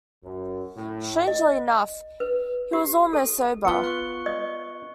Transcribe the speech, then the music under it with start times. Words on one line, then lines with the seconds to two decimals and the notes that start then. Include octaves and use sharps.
Strangely enough, he was almost sober.
0.23 F#2
0.75 A2
1.27 D#5
2.20 B4
2.73 G4
3.13 A4
3.65 B3 F4 B4 C#7 G7
3.84 C#6 F#6
4.26 D#5